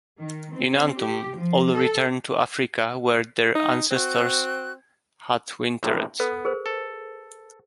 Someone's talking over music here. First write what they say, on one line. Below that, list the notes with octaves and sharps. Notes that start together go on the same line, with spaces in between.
In autumn all return to Africa, where their ancestors had wintered.
D#3
C4
G4
F3
A4
D#4
C4 F#4 F#6
A#1 A2 C3
B3 A4 B4
G#4 A#4 C5
A4